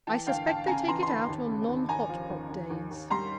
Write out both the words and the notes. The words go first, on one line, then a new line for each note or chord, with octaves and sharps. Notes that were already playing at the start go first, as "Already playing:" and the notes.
I suspect they take it out on non-hot-pot days.'
E3 G5 A5
D2 F5 G5
D2 G5 A5
C#3 G#5 A#5
E3 A#5 C6
C6
D2 A5 B5
D#2
C#3
D#2
D#2 G#5 A#5
F3
D#2
D#2
D#2
D#2
G3 A#5 C6